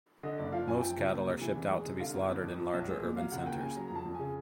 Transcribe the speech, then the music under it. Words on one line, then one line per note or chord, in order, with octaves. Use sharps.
Most cattle are shipped out to be slaughtered in larger urban centers.
D3 D#5
F#1 D5
F3 F5
F#2 G#5
F3 G5
C#2
A#3
C3
E3
E2
G#3
C3
D3 F5
G1
G1
F2
F3
B1
G#3
A#2
F#3 F5
C#2 F#5
A#3 G5
C#3 G#5
F#3 A#5
F2 A#5
A5
F2
C#3 G#5